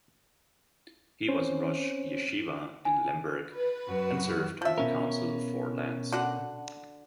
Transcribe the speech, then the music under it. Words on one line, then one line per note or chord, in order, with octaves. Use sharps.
He was Rosh Yeshiva in Lemberg and served on the Council of Four Lands.
C4 C#4 C5 C#5
G#5
B4
F#2 F#4
F3 E5
B2 C#4 A#4
D3 F#4 F#5